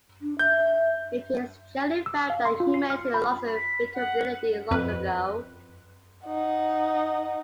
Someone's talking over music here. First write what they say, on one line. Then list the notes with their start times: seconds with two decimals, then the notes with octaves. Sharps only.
It is generally felt that humanity lost its vitality long ago.
0.22 D4
0.39 E5 G6
2.06 E6
2.30 F5
2.45 C6
2.60 F4
2.74 C7
2.90 F6
3.14 B5
3.55 B6
3.94 F#5
4.71 F2 B4
6.26 D#4 F#5